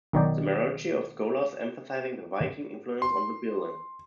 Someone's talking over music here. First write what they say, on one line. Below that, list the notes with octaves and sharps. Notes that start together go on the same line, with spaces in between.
The majority of scholars emphasise the Viking influence on the birlinn.
B1 D#3 D#4 C#5 D5 G5
C6